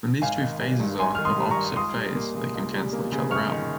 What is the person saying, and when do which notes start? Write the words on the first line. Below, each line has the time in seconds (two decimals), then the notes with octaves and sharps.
When these two phasors are of opposite phase they can cancel each other out.
0.22 G#1 F5 G#5
0.41 D#3
0.60 G3
0.80 G2
0.99 G#1 G#5 C6
1.15 D#3 F6
1.25 C6 D#6
1.38 G3
1.51 A#5 C#6
1.57 G2
1.77 C#2 C6 D#6
1.96 G3
2.15 A#3
2.35 C#3
2.54 C#2
2.74 G3
2.93 A#3
3.12 C#3
3.31 G1 C#6 F6
3.51 D#3